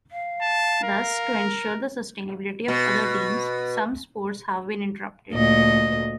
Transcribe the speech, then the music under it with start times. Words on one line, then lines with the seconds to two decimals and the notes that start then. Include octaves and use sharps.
Thus, to ensure the sustainability of other teams, some sports have been interrupted.
0.12 F5
0.42 A5
0.84 A#4
2.68 B2
5.31 D2 A#2 D#5